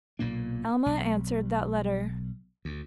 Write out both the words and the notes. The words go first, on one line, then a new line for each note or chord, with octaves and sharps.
Alma answered that letter.
B1 A#2 A#3 D4
B1
D2